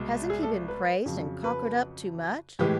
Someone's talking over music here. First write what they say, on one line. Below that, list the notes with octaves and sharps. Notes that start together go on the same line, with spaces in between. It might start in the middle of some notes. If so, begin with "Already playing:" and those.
Hasn't he been praised and cockered up too much?
Already playing: C2 B2 G#3
G#4
A4
B4
F2 C#3 F#3
B4
A2 E3 G#3 G4